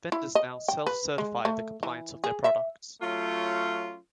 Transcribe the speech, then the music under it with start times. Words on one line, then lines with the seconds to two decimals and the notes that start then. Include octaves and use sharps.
Vendors now self-certify the compliance of their products.
0.12 E4
0.35 D#5
0.68 G5
0.87 B4
1.18 G#3
1.45 A3
1.83 E3
2.24 G#4
2.44 E5
3.01 F#3 A3 C#4 F4